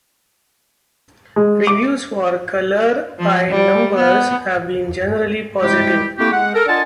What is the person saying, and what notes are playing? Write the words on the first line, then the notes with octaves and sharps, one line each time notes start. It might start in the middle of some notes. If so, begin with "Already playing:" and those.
Reviews for "Colour by Numbers" have been generally positive.
G#3
D6
F3
G3
B3
C3 G3 G#3 E4 G4
A3 A#3 C4 E4 F#4 G4
G#3 F#5
A4 A#4
D4 F4 D#5 F#5 G#5 A5